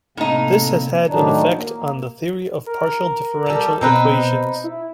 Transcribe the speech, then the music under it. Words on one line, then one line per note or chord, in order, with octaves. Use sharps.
This has had an effect on the theory of partial differential equations.
A2 C3 A#3 C4 D#4
A2 D#3 F#3 D4 D#4
A#3
A#4
G3 A4
B2 C4 D#4 B4
E4